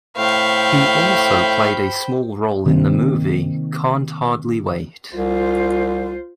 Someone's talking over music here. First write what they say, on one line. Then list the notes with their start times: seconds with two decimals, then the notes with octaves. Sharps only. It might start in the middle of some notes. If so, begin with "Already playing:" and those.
He also played a small role in the movie "Can't Hardly Wait".
0.17 A2 A3 C5 F5 G5 B5 C#6
2.66 C3 D#3 A#3 C4
5.14 C2 F4 C5